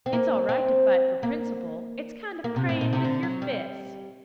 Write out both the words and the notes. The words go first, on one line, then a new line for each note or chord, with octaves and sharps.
"It's all right to fight for principle. It's kind of praying with your fists."
C4
A#3
C4
A#3
A#3
C3
A2
A#2
C3
D3
F#3
G3